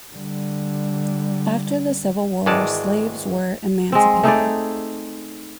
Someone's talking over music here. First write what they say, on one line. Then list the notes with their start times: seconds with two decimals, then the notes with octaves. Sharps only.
After the Civil War, slaves were emancipated.
0.13 D3 G3
2.46 G#1 E3 G#3 D5 A5
3.92 G#3 C4
4.23 A3 D#4 G#4 D5